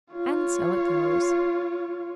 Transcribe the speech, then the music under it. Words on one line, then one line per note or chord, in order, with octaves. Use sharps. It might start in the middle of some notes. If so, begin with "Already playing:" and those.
And so it goes.
F4 C#5